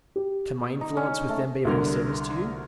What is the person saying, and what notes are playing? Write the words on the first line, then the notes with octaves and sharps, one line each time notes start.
"Can my influence with them be of any service to you?"
G4
D#4
C#4
A3
C2 D3 A#4